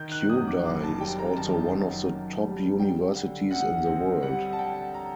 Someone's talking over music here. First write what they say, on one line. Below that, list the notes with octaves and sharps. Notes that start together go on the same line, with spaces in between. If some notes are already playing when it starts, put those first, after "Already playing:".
Kyodai is also one of the top universities in the world.
Already playing: D#3 G6
F#6
F#2 D#6
D6
F#1 D6
A5
G3 G5
A#5
D#3 A5
F#2
F#1
G3
G3 G5
D3
D2 F#5
C4
G3 F#5
A5
D3 G5
A#5